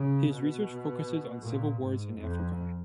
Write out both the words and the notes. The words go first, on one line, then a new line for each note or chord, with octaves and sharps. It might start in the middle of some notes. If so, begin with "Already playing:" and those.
His research focuses on civil wars in Africa.
Already playing: C#3
B2
A#2
G#2
F2